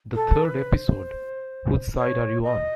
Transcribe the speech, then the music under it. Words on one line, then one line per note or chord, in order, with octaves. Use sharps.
The third episode, Whose Side Are You On?
A4
B4
C5
C#5
D#5